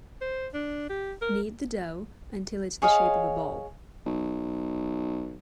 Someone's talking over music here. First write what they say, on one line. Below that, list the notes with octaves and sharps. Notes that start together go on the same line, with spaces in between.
Knead the dough until it is the shape of a ball.
C5
D4
G4
A#4
G#4 C#5 D#5 F5
B1